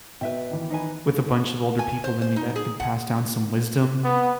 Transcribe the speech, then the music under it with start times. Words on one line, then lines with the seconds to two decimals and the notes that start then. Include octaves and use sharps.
with a bunch of older people than me that could pass down some wisdom.
0.21 B2 B4 E5 G5
0.51 D#3 E3
0.70 D#4 B4 G#5
1.79 G#5
2.04 C5
2.22 C5
2.36 D#4
2.56 G#4
2.80 F#5
4.04 B3